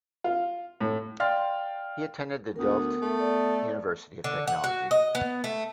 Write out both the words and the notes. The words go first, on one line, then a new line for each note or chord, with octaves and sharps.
He attended the Delft University of Technology.
F4
A2
D5 F5 G5 C6 F6 A6
D2 B3 A#4
A3
D5
D3
F#5
F#4
D#5
B3
A3